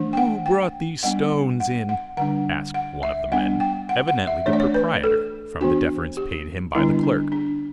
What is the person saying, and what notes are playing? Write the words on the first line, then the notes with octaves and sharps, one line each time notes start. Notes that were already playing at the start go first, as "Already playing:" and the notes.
"Who brought these stones in?" asked one of the men, evidently the proprietor, from the deference paid him by the clerk.
Already playing: E3 A3 D4
G5
F#5
G5
G3 B3 D4 F#5
F#5
F#5
D3 G3 D4 F#5
F#5
E5
G3 B3 D4 F#5
G5
F#5
F#5
E5
E3 A3 D4 C#5
D5
C#5
B4
A4
E3 B3 D4 F#4
G4
D3 G3 B3 D4 E4
D4
D4